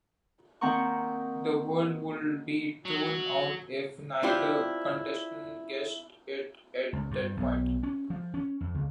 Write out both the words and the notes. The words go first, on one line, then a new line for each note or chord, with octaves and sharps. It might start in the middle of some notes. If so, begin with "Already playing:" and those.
The word would be thrown out if neither contestant guessed it at that point.
D#3 A#3 C4 F#5 A#5 C#6
F#3
C4 D4 E4 F4 G4
C#2
G2
B1
C#4
F3
C#4
F2
C#2